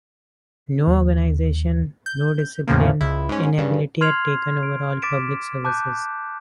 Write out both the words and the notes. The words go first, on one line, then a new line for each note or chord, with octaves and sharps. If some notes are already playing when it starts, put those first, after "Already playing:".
No organization, no discipline: inability had taken over all public services.
D#2
G6
E2 A2 C#3 F3 A#3
C#2 E4
G#2 C#4
G2 C#3
C6 F6 G#6 C7 F7
D7
D6 A6 B6 D7 E7
A5 D6 F#6 G6